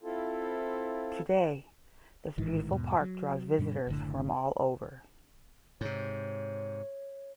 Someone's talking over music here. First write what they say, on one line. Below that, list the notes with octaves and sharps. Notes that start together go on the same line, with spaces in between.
Today, this beautiful park draws visitors from all over.
C4 E4 F4 A4
A1 G#2 D#3 E3
E2 G#2 B2
F#3
G2 B2 G3 D4
F#1 A2 D3
G#2 C3 C#5